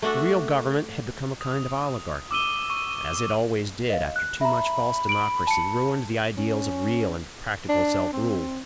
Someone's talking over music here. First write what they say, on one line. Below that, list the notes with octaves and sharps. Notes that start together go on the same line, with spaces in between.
The real government had become a kind of oligarchy, as it always did after too much false democracy ruined the ideals of real and practical self-rule.
A3 D4 F#4 A4
D#6
D6 E6 D#7 G7
C#6 D#7
D#5 F5
F#6
E5 A#5 B5
D7 F#7
A5 C#7
C#4
D4
C4